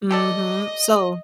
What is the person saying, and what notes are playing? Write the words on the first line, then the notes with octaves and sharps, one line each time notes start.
Mhm, so
G4 A4 D5 D#5